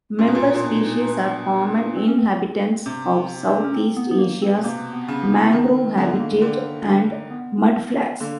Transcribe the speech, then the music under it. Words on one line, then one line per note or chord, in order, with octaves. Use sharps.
Member species are common inhabitants of Southeast Asia's mangrove habitat and mudflats.
A#2 C#4
B2
A#2
A#2
B2 D4
D#4
D#4
B2 D4
C4
C#4
C4
C3
D#4
D4
C#4
C4
B3
B3
A#3
C4
B2
C3 A#3
B3
C#3
B3
D#3 B3
C4
D3 B3
A#3
D3 A#3
B3
D3 A#3